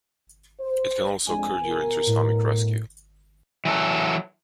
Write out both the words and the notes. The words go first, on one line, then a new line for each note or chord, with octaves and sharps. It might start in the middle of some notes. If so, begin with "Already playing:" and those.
It can also occur during trisomic rescue.
C5
F2 G#3 D4 G#5
B2 A#4
A2
E3 F#3 A4